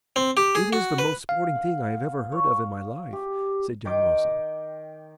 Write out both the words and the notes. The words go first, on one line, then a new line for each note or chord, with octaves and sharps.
"It is the most sporting thing I ever heard of in my life," said young Wilson.
C4
G4
G#4
F#4
B4
F5
F#5
C#5
G4
D#3 G5 D6